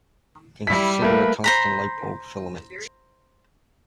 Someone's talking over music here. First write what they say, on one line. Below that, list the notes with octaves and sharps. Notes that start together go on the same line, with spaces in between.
Consider a tungsten light-bulb filament.
G3 E4 B6
A3 A#3 B4
C5 A#5 B5